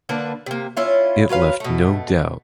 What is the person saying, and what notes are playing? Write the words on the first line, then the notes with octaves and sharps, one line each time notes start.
It left no doubt.
D3 A#3 D4 B4
C3 A#3
C#4 E4 F4
F#3 F4 B4 F5
B2 A3